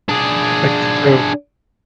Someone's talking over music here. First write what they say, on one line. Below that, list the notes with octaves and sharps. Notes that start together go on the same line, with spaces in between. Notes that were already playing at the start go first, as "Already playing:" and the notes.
Like, so
D4 G#4